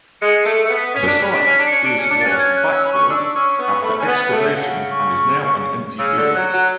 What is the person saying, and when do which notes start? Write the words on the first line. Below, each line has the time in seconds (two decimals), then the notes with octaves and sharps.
The site is was backfilled after excavation and is now an empty field.
0.21 G#3 C#7
0.39 C#7
0.46 A3
0.58 C#7
0.64 A3
0.70 B3
0.76 B6
0.94 C#4 B6
1.07 D4
1.20 C#4
1.31 D4 B6
1.45 C#4
1.59 D4
1.67 C#7
1.72 C#4
1.84 D4 D7
1.97 C#4
2.03 C#7
2.10 D4
2.20 C#4 A6
2.30 F#6
2.39 G#6
2.56 F#6
2.75 E6
2.85 B5
2.93 C#6
3.07 C#4
3.10 D4 E6
3.34 C#4 C#6
3.59 B3 C#6
3.82 A3 B5
3.99 C#4 G#5
4.06 B3
4.19 F#5
4.31 A3
4.37 E5
4.55 C#3 F#5
4.91 C#6
5.99 C#3 E6
6.17 D3
6.35 F#3 F#6
6.53 F#3